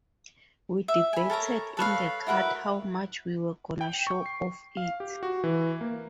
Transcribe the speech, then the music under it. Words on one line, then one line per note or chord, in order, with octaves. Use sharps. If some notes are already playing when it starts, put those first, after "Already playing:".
We debated in the cut how much we were gonna show of it.
E5
G#5 B5
A4 A#4 C#5 A#5
A4 B4 C#5 F5
E4 F#4 A#4 B4
G5
C#6
C7
F5
G4
F#4
E3
A#3